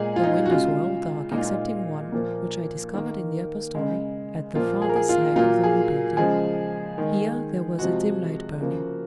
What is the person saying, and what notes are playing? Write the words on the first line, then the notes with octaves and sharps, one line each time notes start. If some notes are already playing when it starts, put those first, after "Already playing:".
The windows were all dark excepting one, which I discovered in the upper storey, at the farther side of the new building. Here, there was a dim light burning.
Already playing: A#2 G#3 G#4
F4
D#4
F#4
C#3 G#3 F4
A#2 G#3 D#4
F4
D#4
A#2 F3 A#3
D#3 A#3
C#3 G#3
A#2 F3 A#3 F4
G#4
A#4
G#4
F4
A#2 F#3 A#3 F4
G#4
C#3 F3 G#3 G#4
D#3 G#3
C3 F3 G#3 F#4
C#3 F3 A#3